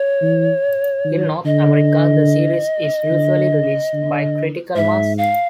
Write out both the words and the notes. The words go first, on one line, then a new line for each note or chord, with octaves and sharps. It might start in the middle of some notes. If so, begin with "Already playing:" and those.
In North America, the series is usually released by Critical Mass.
Already playing: C#5
E3
D#3
D3 D#5
D3
D3
G#2 E5
F5